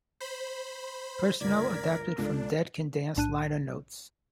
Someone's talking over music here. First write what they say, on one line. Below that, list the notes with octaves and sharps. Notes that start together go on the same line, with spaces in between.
Personnel adapted from "Dead Can Dance" liner notes.
C5 B5
G1 C#2 A#4 D5 G#6 B6
C#2 D4 A4
B1 A2 D4 A5 F#6 D#7